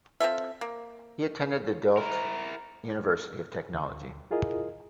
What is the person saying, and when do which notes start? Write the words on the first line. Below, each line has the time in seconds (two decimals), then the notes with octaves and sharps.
He attended the Delft University of Technology.
0.20 C4 F4 A4 E5
0.61 A#3
1.97 E4 A#4 A#5
3.74 D2
4.31 E4 F4 G#4 A#4 D#5